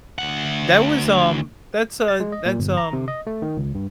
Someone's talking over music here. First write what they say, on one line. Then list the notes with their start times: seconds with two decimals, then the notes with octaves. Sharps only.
That was, um, that's a that's, um
0.18 D2 F#5
2.08 A6
2.20 G#3
2.32 D#5
2.46 A#2
2.59 G1
2.77 A#5
2.93 C3
3.08 D#5
3.27 A3
3.42 D#3
3.57 C#2
3.75 G2